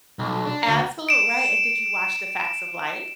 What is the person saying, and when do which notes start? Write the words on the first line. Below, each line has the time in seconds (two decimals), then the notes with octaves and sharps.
Absolute right, and did you watch The Facts of Life?
0.19 B1
0.46 D4
0.68 D2
1.09 D7 E7